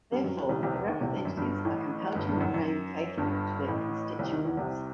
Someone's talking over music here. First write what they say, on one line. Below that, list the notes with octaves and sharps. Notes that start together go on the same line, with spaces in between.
Therefore, the representatives are compelled to remain faithful to their constituents.
G2 G3
F#2 F#3
D#2 D#3
C2 C3
C2 C3
E2 E3
D#2 D#3
C2 C3
G2
F#2
G1 G2
A1 A2
G1 G2
G1 G2
E2
F#2
F#2
G1 G2
A1 A2
C2 C3
D#2 D#3
E2 E3
C2 C3